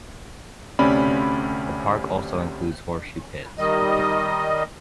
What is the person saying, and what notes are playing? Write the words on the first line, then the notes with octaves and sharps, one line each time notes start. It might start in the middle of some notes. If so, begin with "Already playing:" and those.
The park also includes horseshoe pits.
D2 C3 C#4 D5 B5
D#3 G3 D#5